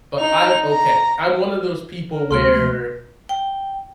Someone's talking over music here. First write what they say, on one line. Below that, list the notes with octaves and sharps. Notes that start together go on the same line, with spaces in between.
but I'm okay." I'm one of those people where
D#4 F7
A#5
A#4
D2 C3 G#3 A#3 F#4 C6 F6 G7
F3 A3
G5